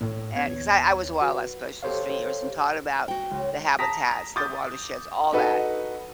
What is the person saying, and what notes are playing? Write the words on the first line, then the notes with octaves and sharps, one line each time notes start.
and 'cause I I was a wildlife specialist for years and taught about the habitats, the watersheds, all that.
A2
B3 C#5 G#6
D#2
F#4 B4
G4 A4 C5 C#5 F5
F#4 G5
C#2
A5 A#5 D#6 A#6 B6
D6 D#6 G6 A6
D#4 F#4 A4 B4 D#5